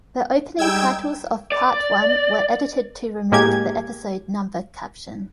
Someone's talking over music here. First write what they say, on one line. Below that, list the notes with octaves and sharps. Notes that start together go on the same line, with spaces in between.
The opening titles of Part One were edited to remove the episode number caption.
G3 G#3 D#4 G5 E6 G#6
D5
A2 G#3 A#3 G4 G#4 G#6